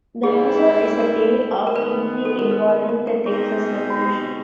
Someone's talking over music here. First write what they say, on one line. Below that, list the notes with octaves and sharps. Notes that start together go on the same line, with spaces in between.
The episode is a tale of intrigue involving the Texas Revolution.
G#2 E3 G3 C4 E4 G#4
A#4
A#4
D#3 G#3 B3 B4
A4
A#4
B4
A#4
A#4
A#4
B2 G#3 C4 D#4 G#4
F#4
G4